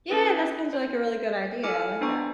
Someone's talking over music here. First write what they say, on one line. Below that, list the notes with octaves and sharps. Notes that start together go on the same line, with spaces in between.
Yeah, that sounds like a really good idea, I like that.
C#4 E4 G#4 B4
C5
E4 A4 G#5 D6 F6 C#7
B3 D4 C5 G5 A#5 C#6